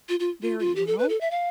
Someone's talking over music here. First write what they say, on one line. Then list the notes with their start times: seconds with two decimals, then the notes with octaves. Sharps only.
Very well.
0.09 F4
0.20 F4
0.42 F4
0.59 F4
0.76 G4
0.87 A4
0.98 B4
1.09 A4
1.21 E5
1.31 F5